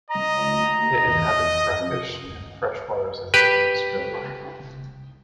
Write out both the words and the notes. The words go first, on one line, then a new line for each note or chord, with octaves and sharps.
It inhabits brackish and freshwaters in northern Australia.
D#5 A#5
D#5
G4 B4